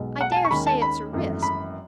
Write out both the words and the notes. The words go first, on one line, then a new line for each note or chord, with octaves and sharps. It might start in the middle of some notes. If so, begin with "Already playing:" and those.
I dare say it's a risk.
Already playing: B1 B2 G#3
F#5
A5
G#5
C#6
D#2 D#3 G#3 C#4 B5
A5
B5
G#1 F#2 E3 A3
B5